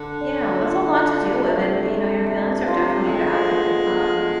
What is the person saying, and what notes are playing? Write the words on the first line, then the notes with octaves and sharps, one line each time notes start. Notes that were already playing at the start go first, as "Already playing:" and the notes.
Yeah, well, that's a lot to deal with, and, you know, your feelings are definitely valid. Um,
Already playing: D3
D4
F4
D4
C3 A3
A3
A3
F4
G#3 A4
B3
B3